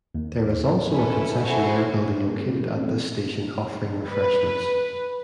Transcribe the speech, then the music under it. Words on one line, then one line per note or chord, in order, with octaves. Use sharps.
There is also a concessionaire building located at this station offering refreshments.
D#2
C#4 E4 A4 B4
E4 F#4 A4 C5 E5 G#5
D#1
A1
F1
B4